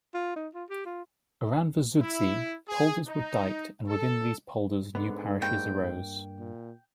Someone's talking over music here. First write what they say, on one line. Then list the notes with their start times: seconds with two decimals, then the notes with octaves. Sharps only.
Around the Zuudzee, polders were diked, and within these polders, new parishes arose.
0.14 F4
0.36 D#4
0.54 F4
0.70 G4
0.86 F4
2.01 E4
2.68 G#4
3.07 D#4
3.88 A4
4.95 G#2 D3 B3
5.42 G2 A#3 G5
6.39 A#2